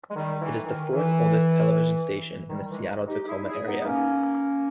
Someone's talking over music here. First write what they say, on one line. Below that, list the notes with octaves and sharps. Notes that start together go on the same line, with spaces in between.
It is the fourth-oldest television station in the Seattle-Tacoma area.
G#3
D#3 G3
E3
D#3
E3
D#3 G3
E3 G#3
D#4 G4
E4 G#4
E4 G#4
B3 D#4
A#3 C#4